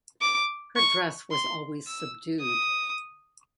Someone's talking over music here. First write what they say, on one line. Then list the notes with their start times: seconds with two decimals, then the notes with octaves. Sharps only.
Her dress was always subdued.
0.21 D6
0.76 C#6
1.31 C6
1.87 E6
2.42 D#6